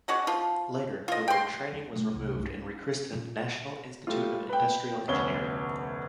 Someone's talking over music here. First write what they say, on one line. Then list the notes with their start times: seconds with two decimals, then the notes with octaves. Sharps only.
Later, the word 'Training' was removed and was rechristened 'National Institute of Industrial Engineering'.
0.08 G#3 C#4 F#4 D5
0.27 F3 F4
1.08 F4 D#5
1.28 G5 C6
1.72 E2
1.92 B1 A2
2.12 D1 C2
2.39 C2 G#2
2.53 C#4
3.13 A#2
4.07 G3 A3 F4
4.49 B4 G5
5.08 F1 D2 B3 C#4 G7